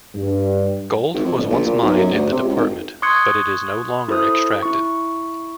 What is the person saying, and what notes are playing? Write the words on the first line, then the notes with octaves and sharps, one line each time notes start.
Gold was once mined in the department but it is no longer extracted.
G2
G#1
F2
G1
A#1
A#2
B1
F#2
D2
C3
C#2
G#1
C6 C#6 D#6 F#6 G#6 C#7
E4 A4 C5 D#6
E4 C#6